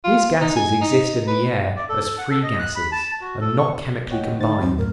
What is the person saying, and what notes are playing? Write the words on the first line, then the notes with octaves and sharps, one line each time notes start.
These gases exist in the air as free gases and not chemically combined.
F4
D#4
G#5
D#4
B4
D5
A4
A4
F#5
A4
D#5
F#6
B5
A5
F#4
A4
C#6
C#5 D#5 F#5 G5
D3 D#4 C5 A6
D#2 F#3 C4
F#2 A2 A#4